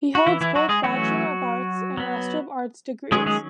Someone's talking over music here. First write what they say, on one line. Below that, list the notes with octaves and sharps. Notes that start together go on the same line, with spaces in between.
He holds both Bachelor of Arts and Master of Arts degrees.
F#4
E3 E4
E3 E4
F#3 F#4
G#3 G#4
E3 F#3 A3 C#4 F#4
F#3 B3
D#3 F#3 G#3 C#4 G#4
G#3 G#4